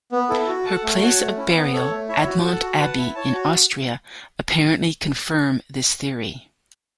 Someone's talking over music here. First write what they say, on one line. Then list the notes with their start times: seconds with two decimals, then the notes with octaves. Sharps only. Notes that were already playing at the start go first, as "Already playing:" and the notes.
Her place of burial, Admont Abbey in Austria, apparently confirm this theory.
0.12 B3
0.29 E4 A4
0.48 F#4
0.65 A4 F#5 A5
0.83 A3
1.01 F#4 C#5 F#5 A5
1.20 A3
1.37 C#4 E4
1.55 B3
1.73 A4 C#5
1.91 A3
2.08 E4 C#5 E5
2.26 F#4
2.44 A4 F#5 A5
2.62 F#4
2.80 B4 F#5 A5
2.97 E4
3.15 C#5 A5
3.33 F#4